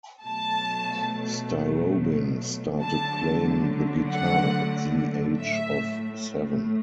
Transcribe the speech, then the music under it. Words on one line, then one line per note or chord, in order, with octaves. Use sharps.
Starobin started playing the guitar at the age of seven.
B2 F#3 A3 A5
D3 F#3 A3 A5
F#5
A2 A3 E5